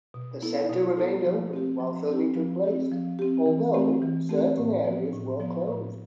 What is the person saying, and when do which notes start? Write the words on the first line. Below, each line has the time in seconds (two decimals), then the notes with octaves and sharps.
The center remained open while filming took place, although certain areas were closed.
0.14 B2
0.43 B3 E4 A4
0.69 B2
0.97 B3 E4 A4
1.25 F3
1.53 C4 G4
1.80 F3
2.08 C4 G4
2.36 F3
2.64 C4 G4
2.92 F3
3.19 C4 G4
3.46 E3
3.74 A3 C4 G4
4.02 E3
4.29 A3 C4 G4
4.58 A2
4.84 F3 B3
5.13 A2
5.40 F3 B3
5.68 A2